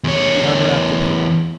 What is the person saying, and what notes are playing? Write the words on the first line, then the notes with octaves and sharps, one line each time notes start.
He unwrapped the paper.
E2 C#5